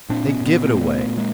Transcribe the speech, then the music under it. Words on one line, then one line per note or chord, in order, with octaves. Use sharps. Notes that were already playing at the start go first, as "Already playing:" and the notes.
They give it away.
A#2 C4 D4
B3 C#4
B3 C#4
A#3 C4
C4
A3 B3
G#3 A#3